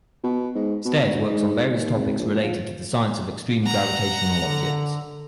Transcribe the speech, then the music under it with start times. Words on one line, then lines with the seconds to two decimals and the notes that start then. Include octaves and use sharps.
Stairs works on various topics related to the science of extreme gravitational objects.
0.24 B2
0.55 G#2
0.85 B2
1.05 D2
1.25 G#2
1.73 D#2
1.94 G#1
2.18 A#1
2.42 F3
3.65 F#5 A#5
4.37 D3